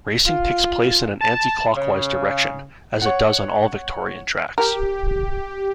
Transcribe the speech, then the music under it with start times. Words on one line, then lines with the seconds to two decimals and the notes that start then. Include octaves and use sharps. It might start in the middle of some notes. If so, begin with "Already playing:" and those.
Racing takes place in an anti-clockwise direction, as it does on all Victorian tracks.
0.25 F4
1.21 A5
1.75 C#3
3.01 C#5 F#5
4.58 G4 A#4